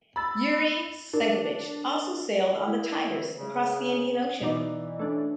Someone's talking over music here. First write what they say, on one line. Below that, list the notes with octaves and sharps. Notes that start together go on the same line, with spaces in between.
Yuri Senkevich also sailed on the "Tigris" across the Indian Ocean.
B5 E6 A6
D4 A#4
E4
C#3
B2 E3 D#4 D5
A3 C#4 D4